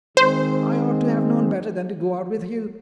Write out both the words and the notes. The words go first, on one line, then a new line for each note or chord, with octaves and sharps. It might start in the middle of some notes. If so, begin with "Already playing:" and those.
I ought to have known better than to go out with you.
D#3 G#3 C4 C5